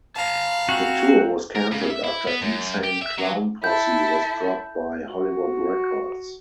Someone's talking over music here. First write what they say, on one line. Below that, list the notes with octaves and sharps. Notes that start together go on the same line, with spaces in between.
The tour was cancelled after Insane Clown Posse was dropped by Hollywood Records.
F5 A5 A#5
C4 F#4
A#4
C#3
E5
E4
B3
F#2
G4
E5
F#3
E4 A4 G6
F#4